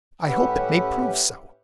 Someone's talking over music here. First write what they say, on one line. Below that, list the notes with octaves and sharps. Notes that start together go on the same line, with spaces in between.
'I hope it may prove so.
A2 C#4 G4 B4 E5 F#5